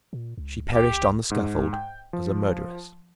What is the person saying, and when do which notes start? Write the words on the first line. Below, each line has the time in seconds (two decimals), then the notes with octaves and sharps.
She perished on the scaffold as a murderess!
0.13 A#2
0.37 C#2
0.74 G4
1.31 G#2
1.73 G5
2.13 F3